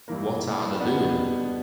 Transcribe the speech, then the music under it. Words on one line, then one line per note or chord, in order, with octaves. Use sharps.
What are the doing?
G2 E3 A#3
B2 G3 B3 D4